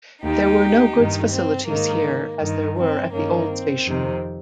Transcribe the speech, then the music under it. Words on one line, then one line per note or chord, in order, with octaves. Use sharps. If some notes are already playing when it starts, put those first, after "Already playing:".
There were no goods facilities here as they were at the old station.
D#2 D#3 D#4 G4
G2 D#3
C4
G#2 D#3 A#3
G2 D#3
C4
G2 D#3 A#3 C#4
C4
F2 C3 D#3